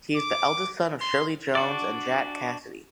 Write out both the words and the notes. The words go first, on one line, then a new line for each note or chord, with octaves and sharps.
He is the eldest son of Shirley Jones and Jack Cassidy.
D6
C6
D4 F#4 D5